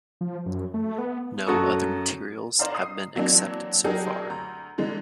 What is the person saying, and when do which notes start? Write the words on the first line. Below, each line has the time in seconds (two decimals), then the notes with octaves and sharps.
No other materials have been accepted so far.
0.21 F3
0.46 F#2
0.74 A3
0.98 B3
1.47 F#2 F#4 A4 A#5 C#6 D#6
2.59 C5 D5 D#5 F5 A#5
2.75 D#6 C7
3.15 E3 F#3 A#3 C4 D4
3.84 F#3 D4 G4 G#4 A#4
4.30 D2 A#5
4.78 D3 E3 G#3